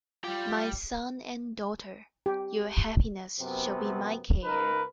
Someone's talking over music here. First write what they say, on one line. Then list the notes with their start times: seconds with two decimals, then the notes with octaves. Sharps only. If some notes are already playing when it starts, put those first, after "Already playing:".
My son and daughter, your happiness shall be my care.
0.24 G3 F4 G4
2.26 G4
3.39 F#2 C3 B3 C4
4.43 C#2 D#4 A#4 B4